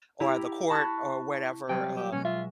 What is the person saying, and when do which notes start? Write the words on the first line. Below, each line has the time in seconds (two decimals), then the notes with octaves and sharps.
or the court or whatever, um,
0.20 E4 G4 A#5
0.70 A5 B5 C#6 F#6 A6 A#6
1.69 C3 F#3 G3 G5
1.97 G4
2.12 B2 G#3 C#4
2.25 F4 E5